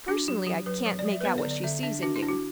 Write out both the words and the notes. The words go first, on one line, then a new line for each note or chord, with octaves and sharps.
Personally, I can't make out what she sees in you.
D4 F#4
F#3 G4
F#3 G4
F#3 B4
F#3 C#5
D5
F#3
E5
B4
B3 C#5
D5
D3
D5
D3 E5
D4 E5
D4 F#4
E4
D4
F#4